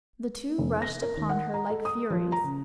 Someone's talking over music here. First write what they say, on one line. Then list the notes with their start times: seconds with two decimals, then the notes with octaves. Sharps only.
The two rushed upon her like furies.
0.58 F1
0.82 A#6
1.02 A#4
1.17 D#2
1.29 F#5
1.54 A#5
1.70 A4
1.85 D#6
2.10 F3
2.32 A#5
2.44 C#3